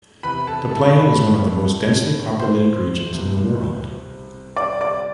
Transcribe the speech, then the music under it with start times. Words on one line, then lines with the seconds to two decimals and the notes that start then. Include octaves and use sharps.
The plain is one of the most densely populated regions in the world.
0.23 E2 C3 E3 B4 B5
0.47 A4 A5
0.71 A4 A5
0.96 B4 B5
2.40 C5 C6
3.13 C2 B2
4.56 D5 D6
4.81 D5 D6